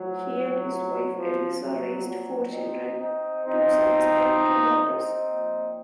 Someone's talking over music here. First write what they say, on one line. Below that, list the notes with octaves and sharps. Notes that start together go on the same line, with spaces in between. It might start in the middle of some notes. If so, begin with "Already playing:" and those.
He and his wife Eliza raised four children, two sons and two daughters.
Already playing: A2 F3 F#3
F3
A#2 F3 F#3
F#3
C4 D#4
C4 D#4
C3 F3 C4 D#4
C4 D#4
A#2 F3